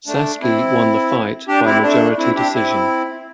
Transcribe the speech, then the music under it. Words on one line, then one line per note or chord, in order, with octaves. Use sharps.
Sasaki won the fight by majority decision.
A3 D4
C4 E4
D4 G4
C4 E4
A3 D4
C4 E4
D4 G4
C4 E4